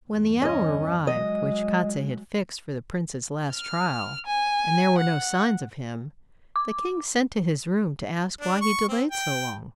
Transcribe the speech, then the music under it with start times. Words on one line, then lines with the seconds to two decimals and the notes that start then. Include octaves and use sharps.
When the hour arrived which Kostiei had fixed for the prince's last trial, and there were no signs of him, the king sent to his room to ask why he delayed so long.
0.10 E2 G2
0.42 C#4 D#5
1.07 F#3 G#3 D#5
3.53 F6
4.26 G#5
4.98 F#5
6.56 D6
8.41 D4
8.61 C#6
8.88 C4
9.11 G5